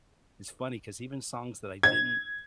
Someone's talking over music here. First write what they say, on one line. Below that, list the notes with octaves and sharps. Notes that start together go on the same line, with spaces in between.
It's funny 'cause even songs that I didn't
G#6